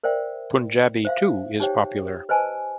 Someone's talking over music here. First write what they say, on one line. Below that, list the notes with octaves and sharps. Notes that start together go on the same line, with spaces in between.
Punjabi, too is popular.
A#4 C5 D5 E5 G5
C5 E5 F5
D#4 G4 C5 C#5 G5
B4 C5 D#5 G#5 A5